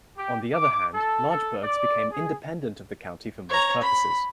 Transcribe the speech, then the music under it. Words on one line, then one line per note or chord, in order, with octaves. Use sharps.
On the other hand, large burghs became independent of the county for most purposes.
G4
D6
A4
A4
D5
G#4
C#5 A#5
B5